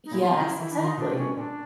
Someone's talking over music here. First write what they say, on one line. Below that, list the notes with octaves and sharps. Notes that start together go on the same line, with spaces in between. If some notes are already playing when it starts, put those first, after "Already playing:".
Yes, exactly.
D#4
A#2 E4
B2 F4
C3
C#3 E4
E3 E4
D4
D#3
D#4
B2 D4
C3
C#4
B2
A#2 D4